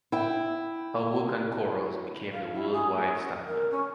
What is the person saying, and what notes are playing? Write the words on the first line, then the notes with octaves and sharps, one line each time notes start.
Her work on corals became the worldwide standard.
E4 G5
F5
E4
G#4
A#3
C#4
A#4
C#4